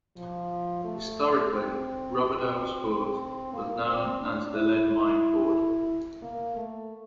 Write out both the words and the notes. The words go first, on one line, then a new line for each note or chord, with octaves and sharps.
Historically, Roberdeau's fort was known as the "Lead Mine Fort".
F3
A3
C4
C4
C4
A#3
C4
D4
E4
A#3
A3